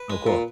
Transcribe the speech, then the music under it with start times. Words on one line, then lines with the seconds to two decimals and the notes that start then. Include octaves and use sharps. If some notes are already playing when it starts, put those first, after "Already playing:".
Oh, cool.
Already playing: B4
0.10 G#3
0.27 A#2